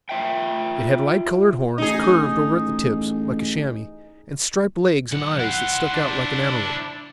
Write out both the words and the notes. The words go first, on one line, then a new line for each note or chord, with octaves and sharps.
It had light-colored horns curved over at the tips like a chamois and striped legs and eyes that stuck out like an antelope.
F4 E5 G5
A1 D#4 G#4
B1 F#5
E4 C5 F#5
D4